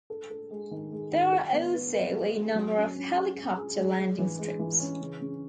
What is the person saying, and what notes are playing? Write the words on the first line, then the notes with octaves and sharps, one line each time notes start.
There are also a number of helicopter landing strips.
A4
A4
G#3
D#3
G#3
D#3
F#4
B3
B4
B4
F#4
G#3
F#3
C#4
C#4
G#4
G#4
G#4
G#3
G#3
E3
G#3
E3
C#4
C#3
C#3